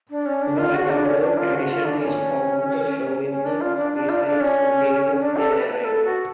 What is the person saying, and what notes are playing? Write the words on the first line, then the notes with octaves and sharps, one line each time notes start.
No record or tradition is found showing the precise day of their arrival.
D4
C#4
D4
F4
F#4
D4
C#4
D4
F4
F#4
F4
D4
C#4
C#4
D4
F4
D4
D4
F4
D4
C#4
D4
A4
B4
B4
A4
F#4